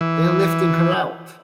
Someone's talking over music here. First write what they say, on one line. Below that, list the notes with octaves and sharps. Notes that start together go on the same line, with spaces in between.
They are lifting her out!
E3